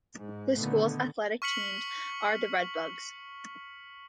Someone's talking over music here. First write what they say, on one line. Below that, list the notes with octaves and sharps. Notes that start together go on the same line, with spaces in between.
The school's athletic teams are the Redbugs.
G#2
A#2 D3 D#3 A3 B3
C#6 F6 B6 C#7 F#7